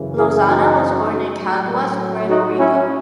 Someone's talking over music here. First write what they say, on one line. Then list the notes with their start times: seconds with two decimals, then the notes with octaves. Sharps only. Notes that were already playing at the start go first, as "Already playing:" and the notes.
Lozada was born in Caguas, Puerto Rico.
Already playing: F#2 C#3 E3
0.18 E4 G#4
0.48 D#4 F#4
1.38 A2 F#3
2.29 D#4 F#4
2.60 C#4 E4